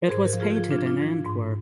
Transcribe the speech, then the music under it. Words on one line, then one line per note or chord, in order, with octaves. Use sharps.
It was painted in Antwerp.
A#4
G#2 G#4 C5
G4 A#4
F3
F4 G#4
G4
F3 F4 G#4
D4 F4
F3
D4 F4
F3
G#2